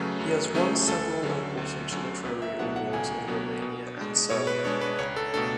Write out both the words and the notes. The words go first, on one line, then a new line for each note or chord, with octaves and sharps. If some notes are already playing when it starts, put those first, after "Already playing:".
He has won several important literary awards in Romania and Serbia.
Already playing: F#2 C#3 F#3 A3 C#4 B4
F#2
C#3 F#3 A3 C#4
D2 A4
D3 F#3 C#4
D2
D3 F#3 C#4
C#2 B4
E5
B2 F#3 B3 D4 F#5
F#5
C#2 G#5
B2 F#3 B3 D4
B2
G#3 D4
B2 C#5
B4
G#3 D4 C#5
B4
C#2 C#5
A4
B2 A3 D4 A4